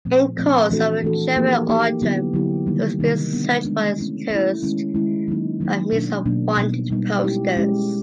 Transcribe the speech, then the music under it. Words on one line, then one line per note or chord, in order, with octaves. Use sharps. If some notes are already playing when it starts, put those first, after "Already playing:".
In course of the German Autumn, he was being searched for as a terrorist by means of wanted posters.
A#2 F3 A3 C4
A#2 F3 A3 C4
E3 A3 D4 F#4 A4
E3 A3 D4 F#4 A4
F3 A#3 D#4 G4
F3 A#3 D#4 G4
D3 F#3 B3 E4 G4
D3 F#3 B3 E4 G4
C3 D#3 G3 A#3 D#4
C3 D#3 G3 A#3 D#4
G#3 B3 D4
G#3 B3 D4
A3 C#4 E4
A3 C#4 E4
D#3 G#3 C#4 E4
D#3 G#3 C#4 E4
D#3 F#3 A#3 D#4
D#3 F#3 A#3 D#4
B2 F#3 A#3 D4
B2 F#3 A#3 D4
B2 G3 B3 D#4
B2 G3 B3 D#4
G#3 C#4 E4 G4
G#3 C#4 E4 G4